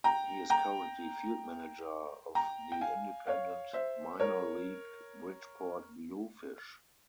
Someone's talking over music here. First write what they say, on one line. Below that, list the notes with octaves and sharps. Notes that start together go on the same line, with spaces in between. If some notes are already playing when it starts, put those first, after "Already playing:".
He is currently field manager of the independent minor league Bridgeport Bluefish.
G5 A#5
G5 A#5
G5 A#5
G5
F5 G#5
C#5 F5
C5 E5
A#4 C#5